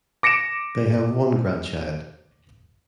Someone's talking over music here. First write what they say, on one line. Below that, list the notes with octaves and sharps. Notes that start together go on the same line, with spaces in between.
They have one grandchild.
D6 A#6 C#7 D7 E7